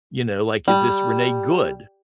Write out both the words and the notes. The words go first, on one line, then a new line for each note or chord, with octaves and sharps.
you know, like, if this Renee Good,
G3